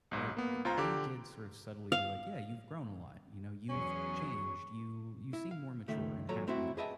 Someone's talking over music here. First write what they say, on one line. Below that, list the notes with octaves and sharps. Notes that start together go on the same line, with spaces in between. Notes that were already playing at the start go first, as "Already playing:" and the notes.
But they did sort of subtly be like, "Yeah, you've grown a lot," you know, "You've changed, you you seem more mature, and happier."
B1 G#2
A#3 B3
C#2 F4 C5 A#5
D3 G4 D6
F5
E2 F#3 C#4 G#4 C#6
E4
F5
C#2 D#3 A3 E5
A#2 F#3 A4 C#5 A#5
A3 C4 E4 F#4 E5
G#4 B4 D#5 E5 G5 A5